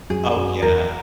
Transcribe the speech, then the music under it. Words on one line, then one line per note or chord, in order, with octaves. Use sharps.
Oh, yeah.
F#2 G#4
F#2
E2 A#4